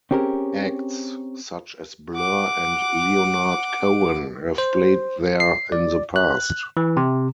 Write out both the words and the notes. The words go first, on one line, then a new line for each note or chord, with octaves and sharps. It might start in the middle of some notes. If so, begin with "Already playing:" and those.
Acts such as Blur and Leonard Cohen have played there in the past.
C4 C#4 G4 G#4 A#4
F#5 D6
C5
C7
D5
F#6
E3
C3